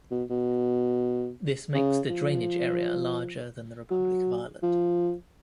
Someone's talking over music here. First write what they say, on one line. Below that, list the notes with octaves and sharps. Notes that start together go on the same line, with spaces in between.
This makes the drainage area larger than the Republic of Ireland.
B2
B2
C#3
F3
F#3
F3